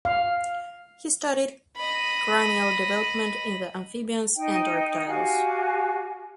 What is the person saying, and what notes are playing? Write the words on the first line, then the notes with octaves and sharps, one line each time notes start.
He studied cranial development in the amphibians and reptiles.
F5
D#5 B5
D#4 D#5 G5
F#4 G4 F5 G#5